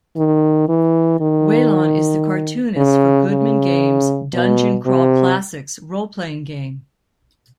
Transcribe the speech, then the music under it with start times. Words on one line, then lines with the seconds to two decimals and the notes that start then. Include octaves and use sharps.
Whelon is the cartoonist for Goodman Game's 'Dungeon Crawl Classics' Role Playing Game.
0.17 D#3
0.69 E3
1.20 D#3
2.77 C#3
3.29 C#3
4.34 B2
4.86 C3